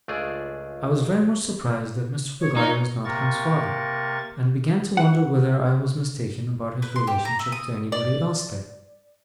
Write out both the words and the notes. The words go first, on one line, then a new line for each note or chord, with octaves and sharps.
I was very much surprised that Mr. Peggotty was not Ham's father, and began to wonder whether I was mistaken about his relationship to anybody else there.
C#2 A3 D4 F4 G#4 D5
C#5
D#4 C#5
C3 A#3 A#4 C#6 A6
F#5
B4
C6
G4
A#5
E5
D#6
D5